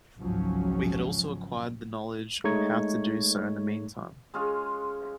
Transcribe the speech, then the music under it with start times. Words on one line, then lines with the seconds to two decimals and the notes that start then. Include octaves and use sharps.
We had also acquired the knowledge of how to do so in the meantime.
0.19 G#1 C#2 G#2 F3 F#3 C#4
2.44 G#3 A3 D#4 C#5 C#6 G#6
4.34 G#3 C#4 F4 G#4